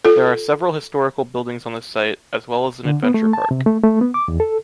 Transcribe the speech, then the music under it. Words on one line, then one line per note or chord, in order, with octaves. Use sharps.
There are several historical buildings on the site, as well as an adventure park.
F4 A4
D3
B3
A3
A5
C3
A3
A3
B3
D6
E2
A4